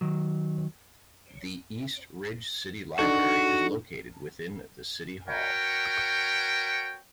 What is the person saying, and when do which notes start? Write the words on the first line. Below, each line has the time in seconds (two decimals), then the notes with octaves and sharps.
The East Ridge City Library is located within the City Hall.
0.01 D#3 F#3
2.99 D4 D#4 F#4 A4
5.28 F#4 A#4 B4 C#5 G5